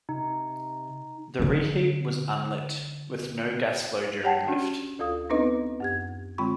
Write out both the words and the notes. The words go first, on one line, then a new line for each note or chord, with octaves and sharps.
The reheat was unlit, with no gas flow during Lift.
C3 D#4
D3 C#4
G4 C#5 F#5 G5 A5
C#4 D4 F#4
D2 F4 A4 F5 D#6
B3 C4 D4 D#4 B4 D#5
F#2 G4 G#6
D3 G#3 C4 F4 B5 C#6